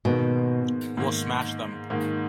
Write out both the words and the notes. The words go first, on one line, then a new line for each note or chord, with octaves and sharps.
We'll smash them.
G#2 B2 D#3 A#3
G#2 D#3 A#3
G#2 D#3 A#3